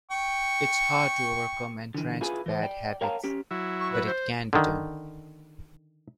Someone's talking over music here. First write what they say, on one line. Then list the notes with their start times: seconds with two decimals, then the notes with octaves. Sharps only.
It's hard to overcome entrenched bad habits, but it can be done.
0.11 G5 C#6
1.94 D3 E3
2.21 E4 F4 G#4 B4 G#5
2.46 E3 C5
2.62 D5 G5
3.01 A#4 C#5 F5 G5 A5 A#5
3.24 C#4 G4
3.51 F#3 E4
3.80 C#6
3.92 B4
4.06 C5
4.53 D3 D#3